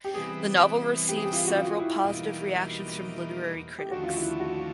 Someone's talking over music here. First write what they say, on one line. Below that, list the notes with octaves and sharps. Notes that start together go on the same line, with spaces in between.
The novel received several positive reactions from literary critics.
G4
C3 E3 G3 B3 G#4
G4
G#4
G4
F4
F#4
F4
E4
E2 B2 G3 A#3 D#4
G4
D#2 D3 F3 A3 F#4
F4
E4
F#4